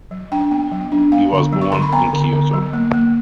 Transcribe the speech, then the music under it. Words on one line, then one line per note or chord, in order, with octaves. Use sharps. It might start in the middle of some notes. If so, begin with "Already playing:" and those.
He was born in Kyoto.
F#3
D4 G5
B3
F#3
D4
B3 F5
D3
F#3
C#6
D3 C6
B5
B3 A#5
D3
D3
F#3
A#3
A#3